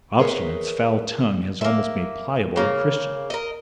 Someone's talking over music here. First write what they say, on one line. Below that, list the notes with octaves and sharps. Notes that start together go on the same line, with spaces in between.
Obstinate's foul tongue has almost made Pliable a Christian.
G#4 A#4 B4 C#5 D#5 E5
A#3 E5
C#3 A#3
A#4 D#5